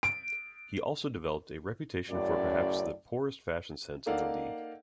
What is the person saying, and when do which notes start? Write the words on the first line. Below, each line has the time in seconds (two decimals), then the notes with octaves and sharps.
He also developed a reputation for perhaps the poorest fashion sense in the league.
0.03 D7
2.09 F#2 A2 C#3 D5
4.06 A#3 D#4 A4 D5 F5 F#5